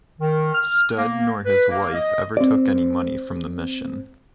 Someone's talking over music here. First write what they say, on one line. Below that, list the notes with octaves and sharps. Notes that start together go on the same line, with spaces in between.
Studd nor his wife ever took any money from the mission.
D#3
F6
A#3
B4
A#3
D#5
C4 D5